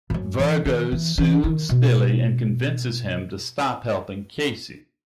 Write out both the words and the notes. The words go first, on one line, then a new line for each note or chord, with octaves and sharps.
Virgo soothes Billy and convinces him to stop helping Casey.
E2
F#2
E3
D#3
E3
E3
D#3
B2